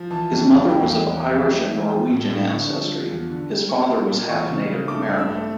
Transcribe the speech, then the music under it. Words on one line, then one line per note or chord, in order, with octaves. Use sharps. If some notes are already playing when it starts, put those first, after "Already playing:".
His mother was of Irish and Norwegian ancestry; his father was half Native American.
Already playing: F3
E3 A5
F2
F2
E2 G5
F5
E3 G5
E2
F2 E5
G3
E3
F3 G5
A2
A2
D3 C#6
F3
F3
E2
D3
G3
A#3 C#6
A#3
A#2
E3 C#6
C#3
C#3
A3 D6
G2
E6
A3